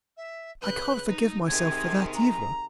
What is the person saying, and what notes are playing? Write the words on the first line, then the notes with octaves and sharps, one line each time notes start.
I can't forgive myself for that, either.
E5
C#3 B4 F#6 G6
D#4
C3 D#3 G#3 G#6
A#5